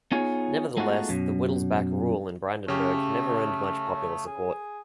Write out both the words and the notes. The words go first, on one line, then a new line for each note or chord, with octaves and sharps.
Nevertheless, the Wittelsbach rule in Brandenburg never earned much popular support.
B3 D#4 F4 G#4 C#5
G#3 A3 B3 D#4 F4 F#4
F#2 B2
C#3 A3 C#4 G4
G#4